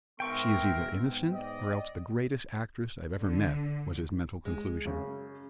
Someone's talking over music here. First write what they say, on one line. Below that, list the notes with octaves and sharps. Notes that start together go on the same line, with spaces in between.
"She is either innocent, or else the greatest actress I've ever met," was his mental conclusion.
G#2 B3 A#4 E5 G5 C6 C#6
D5 D#5
D3
G#3
F#2 C#3